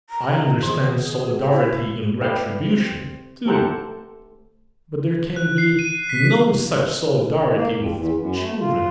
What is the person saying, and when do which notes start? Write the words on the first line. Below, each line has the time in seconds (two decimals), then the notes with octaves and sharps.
I understand solidarity in retribution, too; but there can be no such solidarity with children.
0.10 A#5
0.63 D#3 F3 G#4
1.39 G5
1.52 E4
2.21 A3 B3 E4 D5 F5 G5
2.71 C4
3.46 A3 G4 A4 A#4 C5 F#5
5.36 F#6
5.58 C7
5.79 D#7
6.09 B6
7.54 A#3
7.75 F2
7.95 E2
8.17 F#2
8.40 A3
8.59 F4